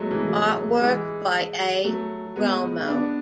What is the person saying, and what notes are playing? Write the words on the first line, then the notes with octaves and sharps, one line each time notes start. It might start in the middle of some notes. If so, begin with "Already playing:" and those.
Artwork by A. Romo.
Already playing: F#3 G#3 A3 B3
E3 G#3
F#3 A3
E3 G#3
F#3 A3
G#3 B3
B3 D4